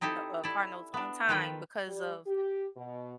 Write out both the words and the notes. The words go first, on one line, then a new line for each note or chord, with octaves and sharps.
no uh, car notes on time because of,
C4 D#4 E4 G4 A4
E4 A4 D5
B3 D4
D#3 F4 A4 B4 F#5 G5
G3
G4
B2